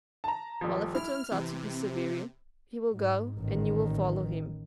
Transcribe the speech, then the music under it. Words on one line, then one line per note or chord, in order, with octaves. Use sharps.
Well, if it turns out to be Siberia, he will go and you will follow him.
A5 A#5
D#1 F3
E4 F6
C3 E3
G#2
A1 D#3